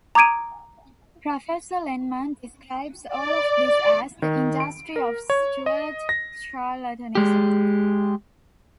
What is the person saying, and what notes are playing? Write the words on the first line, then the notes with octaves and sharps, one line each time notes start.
Professor Lenman describes all of this as: 'The industry of Stuart charlatanism'.
A#5 D6 D#6 G#6 D7 D#7
D5
D5
D#3
D7
A#4
C#5
D#5
A#6
G#3 G4